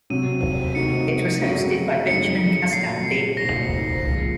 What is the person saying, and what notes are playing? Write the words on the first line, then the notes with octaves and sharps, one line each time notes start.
It was hosted by Benjamin Castaldi.
C3 F#3 C4 F#4 D#7
C3 D#3 A3 D#4 F#4 C#7
F#2 C#3 A3 C4 F#4
F#2 C#3 A3 C4 D#4 C#7
A#2 F#3 A3 C7
C2 A#2 A3 D#4 F#4 A#6
C#2 C#3 F3 A#3